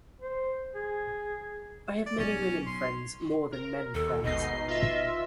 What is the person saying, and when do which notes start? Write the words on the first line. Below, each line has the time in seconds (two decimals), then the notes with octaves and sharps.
I have many women friends, more than men friends.
0.21 C5
0.75 G#4
2.06 D5
2.20 B1 C#4
2.67 C6
3.52 A#4
3.95 D#2 A4
4.24 G#1 B2 D#4 D#5 C7
4.67 F4 E5